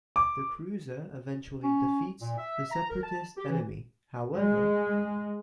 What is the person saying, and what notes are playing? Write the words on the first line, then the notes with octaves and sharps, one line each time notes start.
The cruiser eventually defeats the Separatist enemy, however.
D6
C#4
A#2
E5
A#5
A#4
A5
G4
E3
G#3